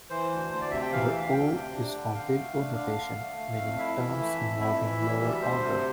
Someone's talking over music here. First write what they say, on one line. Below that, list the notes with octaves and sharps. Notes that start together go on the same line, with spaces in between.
The "O" is for big O notation, meaning "terms involving lower order".
E3 C5
D2
D2 C5
D5
C3 E5
G5
E3 F5
E5
D2
F5
D2 G5
C3
D4
D3
D3 F5
A3
D4
D3
D3
A3
A3
F2
E4 E5
E3
A3
F2
E4 E5
E3
G3
D2
D2 C5
C3